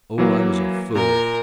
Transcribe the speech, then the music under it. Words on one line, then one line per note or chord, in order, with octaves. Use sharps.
Oh, I was a fool!
E3 F#3 A#3
A#2 A#4